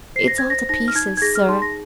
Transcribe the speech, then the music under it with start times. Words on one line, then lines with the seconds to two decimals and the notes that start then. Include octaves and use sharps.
'It's all to pieces, sir.
0.16 C5 C7
0.28 A#6
0.38 C5 G#6
0.50 A#6
0.69 D#4 A#6
0.88 F6
0.95 D#4 G#6
1.17 G#6
1.22 G#4 A#6
1.36 F6
1.48 D#4 C6
1.62 A#6